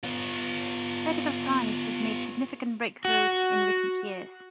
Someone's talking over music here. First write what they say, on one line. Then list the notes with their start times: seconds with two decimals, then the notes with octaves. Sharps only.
Medical Science has made significant breakthroughs in recent years.
0.03 B3 F4
3.05 F#4